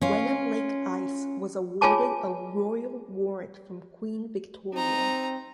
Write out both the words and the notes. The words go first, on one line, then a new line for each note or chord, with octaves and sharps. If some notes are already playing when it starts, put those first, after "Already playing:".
Wenham-lake ice was awarded a royal warrant from Queen Victoria.
C#4 F4
F4 G#4 C#5 G#5 A5 D6
C4 D#4 A#5